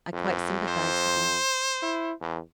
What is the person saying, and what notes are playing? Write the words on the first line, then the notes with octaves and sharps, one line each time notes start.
I quite sympathise with him.
F2
C5
E4
E2